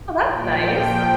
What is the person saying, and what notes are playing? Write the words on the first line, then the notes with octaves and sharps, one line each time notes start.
Oh, that's nice.
A#2 F3 G5